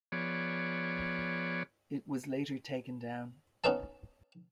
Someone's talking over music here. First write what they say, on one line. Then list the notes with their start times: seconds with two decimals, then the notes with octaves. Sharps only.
It was later taken down.
0.12 F3 B3 G#4 C#5 D5
3.64 B3 C#4 D#4 B4 E5 A5